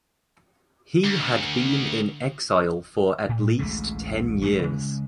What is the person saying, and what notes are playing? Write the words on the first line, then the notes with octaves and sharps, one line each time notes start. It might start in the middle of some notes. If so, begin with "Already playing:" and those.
He had been in exile for at least ten years.
D2
A2
A1 D2 G#3 A3
A1 G#3 A3
C#3 G#3